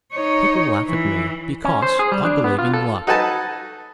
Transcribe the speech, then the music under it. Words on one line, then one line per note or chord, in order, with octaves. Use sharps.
People laugh at me because I believe in luck.
D#4 C#5
E3
C#4
C5
G#4
G3
D4
B3
F4
A4
D#4 F#4 A4 B4 G#5 A5